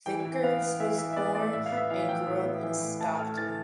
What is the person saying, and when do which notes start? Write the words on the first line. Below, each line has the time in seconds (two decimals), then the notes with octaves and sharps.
Vickers was born and grew up in Stockton.
0.06 E3 G5
0.25 E3
0.43 B3 F5
0.62 B3
0.80 E3 E5
0.98 E3 E5
1.13 E5
1.16 B3 D5
1.35 B3 D5
1.53 A2 E5
1.66 F5
1.72 B3
1.77 E5
1.90 E3 F5
2.09 A2 G5
2.27 A2
2.46 B3
2.63 E3
2.82 A2
3.00 A2 A5
3.19 A3 F6
3.38 E3 A6